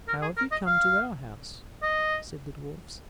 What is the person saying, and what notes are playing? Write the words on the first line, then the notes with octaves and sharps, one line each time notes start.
"How have you come to our house?" said the dwarfs.
A#4
G#4
A#4
D#5
F5
D#5